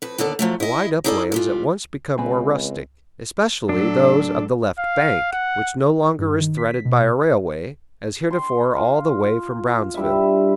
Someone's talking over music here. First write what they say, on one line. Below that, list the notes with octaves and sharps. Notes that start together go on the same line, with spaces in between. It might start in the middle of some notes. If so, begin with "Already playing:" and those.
The wide uplands at once become more rustic, especially those of the left bank, which no longer is threaded by a railway, as heretofore all the way from Brownsville.
F2 B4
D#2 D3 B3 A4 D5
F3 F#3 A3
E4 D#5
D#4 E4 G#4 A4 C5 D5
G3 G#3 F4
C#2 C4 B4 G#5 B5
A2 F#3 D4 A4
F5
F#5
G2
D#3
B6
B2
C6
F4
G2 E4 E5